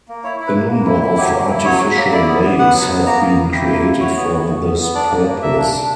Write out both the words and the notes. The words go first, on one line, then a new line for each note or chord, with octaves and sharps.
A number of artificial lakes have been created for this purpose.
A#3
E4 C#5
E4
B4
A#3
A#3
E4
E4
F#3 G4
A#3
E4
F#3 C#5
F#3
A#3
E4 D5
B3
B3
B3 F#5
F#3
B3
A#3 A#5
A#3
A#3
E4 G5
A#3
E4
F#4 C#5
B3
F#4
B3
B3
B3
D4 D5
A#3
A#3
A#3 E5
D4
D4